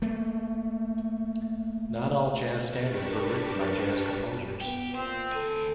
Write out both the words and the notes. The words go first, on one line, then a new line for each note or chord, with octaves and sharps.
Not all jazz standards were written by jazz composers.
A3 A#3
D4 G4 A#4 B4 A5 C#6
B3 G4
A#2 C4 C5
D2 A4 G#5